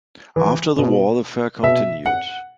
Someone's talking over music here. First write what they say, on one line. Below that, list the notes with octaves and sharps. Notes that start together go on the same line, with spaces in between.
After the war, the fair continued.
E3
B2
B2 E5
F#5